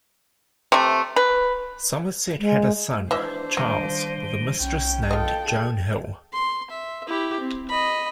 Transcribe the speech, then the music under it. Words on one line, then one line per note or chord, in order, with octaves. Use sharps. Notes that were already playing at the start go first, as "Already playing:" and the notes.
Somerset had a son, Charles, with a mistress named Joan Hill.
C3 A3
B4
G#3
E3 D4 C5 D#5 E5
D#3 F3 G3
B1 C#4 G5
F4 A4 D#5 G5
G#4
C6
E5
E4 G4
C4
D#5 B5